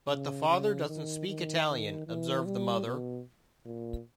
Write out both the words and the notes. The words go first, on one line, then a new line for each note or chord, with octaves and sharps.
But the father doesn't speak Italian, observed the mother.
C#3
C#3
D#3
D#3
D#3
E3
G3
B2
A#2